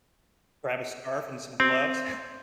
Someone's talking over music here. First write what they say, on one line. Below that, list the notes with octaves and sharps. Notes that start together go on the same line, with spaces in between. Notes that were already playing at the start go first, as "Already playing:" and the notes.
Grab a scarf and some gloves.
C4